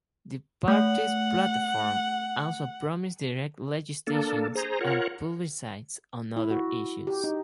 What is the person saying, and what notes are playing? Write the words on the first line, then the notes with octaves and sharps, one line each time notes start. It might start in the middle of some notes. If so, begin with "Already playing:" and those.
The party's platform also promised direct legislation and plebiscites on other issues.
A3 F#5
A#3 D4 A4
G#4 C5 A#5
F4 A#4 C#5 F#5
E4
F#4
G4
D#4